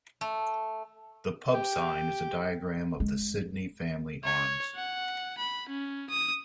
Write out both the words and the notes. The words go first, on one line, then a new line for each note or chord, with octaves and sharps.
The pub sign is a diagram of the Sydney family arms.
A3
G4
G#3
C#5
F#5
B5
C#4
D#6